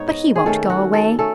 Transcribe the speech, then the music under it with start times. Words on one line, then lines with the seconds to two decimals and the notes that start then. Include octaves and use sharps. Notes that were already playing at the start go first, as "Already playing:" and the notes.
But he won't go away.
Already playing: G#2 B3 D#4 C#5
0.09 D#5
0.36 G#4
0.46 D#3 A3 C#4 A4
0.70 F#4
0.93 A4
1.19 A3 C#4 A4